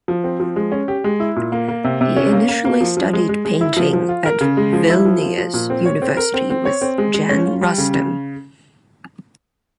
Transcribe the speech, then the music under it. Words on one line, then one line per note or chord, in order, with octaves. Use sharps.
He initially studied painting at Vilnius University with Jan Rustem.
F3
C4
F3
G#3
C#4
G4
G#3
E4
A#2
A#3
A#3
C3
C3
C#4
A#3
A#3
A#3
F3
F3
G#3
G#3
G#3
E4
F3
F3
F4
A#4
C#3
G#3
F3
E4
F3
F3
F3
A#2
C4
C#5
C4
A#4
C4
C4
C#5
C4
G#3
G#3
C#4
F4
G3
C#3
C#3